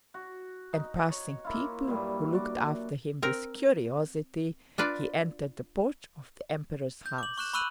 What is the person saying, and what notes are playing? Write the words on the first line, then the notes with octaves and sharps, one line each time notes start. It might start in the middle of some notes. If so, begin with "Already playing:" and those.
And passing people who looked after him with curiosity, he entered the porch of the Emperor's house.
F#4
D#4
C#5
A#3 E4 F4
G2 A#2 F#3 G3
F#4 D5
C4 A#4
D4 F4 B4 D5
G6
D6 F#7
C#6 F#6 E7
B5 C#6 E6 F#6 D#7 F#7